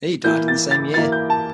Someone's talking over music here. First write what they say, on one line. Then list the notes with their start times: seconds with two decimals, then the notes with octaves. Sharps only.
He died in the same year.
0.24 E3 A#3 E4 G6
0.48 A6
0.71 A6
0.94 E3 A#3 E4 A6
1.12 G6
1.30 A5